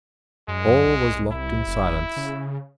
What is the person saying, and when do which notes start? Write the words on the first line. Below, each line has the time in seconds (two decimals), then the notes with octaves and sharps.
All was locked in silence.
0.48 F#2 G#3
0.86 C2
1.32 E4
1.67 F#1
2.17 C#3